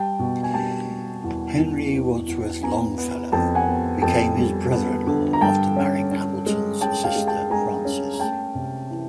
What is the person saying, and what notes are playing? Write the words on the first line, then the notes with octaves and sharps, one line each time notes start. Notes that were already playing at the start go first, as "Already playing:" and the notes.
Henry Wadsworth Longfellow became his brother-in-law after marrying Appleton's sister Frances.
Already playing: G3 G5 A5
B2
G#5
G3 G5 A5
G3
E2
E2
E2
E2
B3 G#5 A#5
B3
F2 G5 A5
F#5 G#5
B3
F2 G5 A5
G3
B3
D3
A#5
G2 G5 A5
C#4
C#4
G#3
C#4 G5 A5
F5 G5
G#3
G5 A5
G#3 G#5 A#5
C#4
A#5
A3 G5 A5
C3
E3